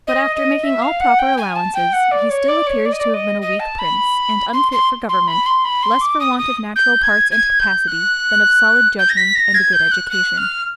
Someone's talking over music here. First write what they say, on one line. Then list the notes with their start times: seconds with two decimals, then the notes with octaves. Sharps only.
But after making all proper allowances, he still appears to have been a weak prince, and unfit for government, less for want of natural parts and capacity, than of solid judgment and a good education.
0.07 D#5
0.36 D#5
0.63 E5
0.82 F5
1.00 F#5
1.19 G5
1.38 G#5
1.56 A5
1.74 G5
1.93 F#5
2.11 D5
2.30 C#5
2.48 D5
2.67 C#5
2.85 D5
2.93 D#5
3.00 D5
3.14 D#5
3.42 D#5
3.60 A5
3.79 B5
4.53 C6
4.72 C6
5.09 C6
5.27 B5
5.46 C6
5.64 B5
5.83 C6
6.01 D6
6.20 D#6
6.38 D#6
6.76 G6
7.03 G#6
7.31 G#6
7.59 G6
7.87 F#6
8.99 G6
9.09 A#6
9.17 B6
9.35 A#6
9.54 G#6
9.73 G6
9.91 F#6
10.10 F#6
10.37 F6